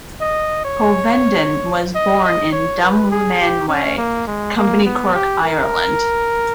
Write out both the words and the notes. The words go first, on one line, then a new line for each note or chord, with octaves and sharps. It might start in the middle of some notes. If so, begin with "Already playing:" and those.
Hovenden was born in Dunmanway, Company Cork, Ireland.
D#5
C#5
D#5
D#5
C#5
B4
G#4
G4
C#4
A#3
G#3
A#3
B3
G4
A#4